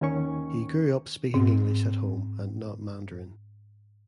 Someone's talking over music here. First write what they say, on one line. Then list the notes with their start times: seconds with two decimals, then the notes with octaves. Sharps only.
He grew up speaking English at home and not Mandarin.
0.01 D#2 D#3 C#4 C#6
1.34 G#2 C4